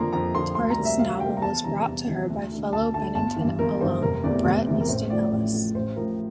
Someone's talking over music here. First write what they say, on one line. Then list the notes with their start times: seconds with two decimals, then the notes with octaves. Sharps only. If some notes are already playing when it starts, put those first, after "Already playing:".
Tartt's novel was brought to her by fellow Bennington alum Bret Easton Ellis.
Already playing: F2 D3 F3 A#3 A#5 C6
0.12 F2 A#5
0.34 D3 F3 A#3 C6
0.55 D2 C6
0.70 A#5
0.77 C3 G3 A#3
0.85 E5
0.99 D2 F5
1.20 C3 G3 A#3 G5
1.37 A#5
1.42 E2 A5
1.63 C3 E3 G3 A#5
1.86 E2
2.07 C3 E3 G3
2.29 D2
2.51 D3 A3
2.72 D2 A5
2.94 D3 A3 A5
3.15 G1 A5
3.36 G2 E3
3.59 G1 A#4
3.81 G2 E3 C5
4.02 F1 A#4
4.23 E2 C3 E3 A3 D5
4.45 F1
4.67 E2 C3 E3 A3
4.81 A#4
4.88 A1 C5
5.10 A2 F3 A3 D5
5.32 A1
5.53 A2 F3 A3
5.74 A1 C5
5.96 A2 F3 A#4